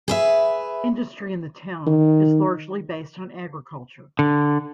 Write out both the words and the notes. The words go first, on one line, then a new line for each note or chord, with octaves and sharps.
Industry in the town is largely based on agriculture.
G#4 B4 E5
D#3
D3